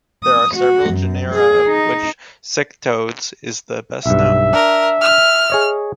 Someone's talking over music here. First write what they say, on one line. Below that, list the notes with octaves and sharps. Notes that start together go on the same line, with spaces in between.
There are several genera, of which "Scytodes" is the best-known.
D#6
F#4
F#2
G#4
D#4
B1 G2 E5
D4 A#4
F6
G#4 C#5 D#5